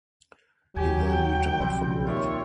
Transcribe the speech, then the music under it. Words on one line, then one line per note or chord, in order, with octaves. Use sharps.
He then retired for good.
D#2 D#3 F#3 G4 G#5
G5
C2 B2 F3 G3 C4
D#2 F4 C#5 D5 E5